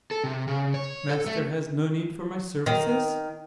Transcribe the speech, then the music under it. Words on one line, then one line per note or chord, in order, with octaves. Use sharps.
"Master has no need for my services?"
A4
C3
C#3
C#5
A4
A3
D#3